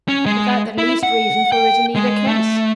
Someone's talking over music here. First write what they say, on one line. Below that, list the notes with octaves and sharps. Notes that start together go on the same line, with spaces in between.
Without the least reason for it in either case.
C#4
G#3
E4
F#5
G5
G#3
A3